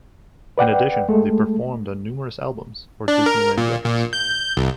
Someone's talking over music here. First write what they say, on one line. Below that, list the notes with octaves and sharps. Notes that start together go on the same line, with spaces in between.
In addition, they performed on numerous albums for Disneyland Records.
B4 D5 F#5 G5
G#3 A3 A4
D4
A#4
A#2
A#2
G6
C2